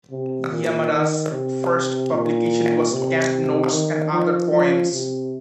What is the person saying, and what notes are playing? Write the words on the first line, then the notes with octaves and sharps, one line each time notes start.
Yamada's first publication was Camp Notes and Other Poems.
C3
A#2
D#3
C3
A#2
C3
D#3
F3
F3
C3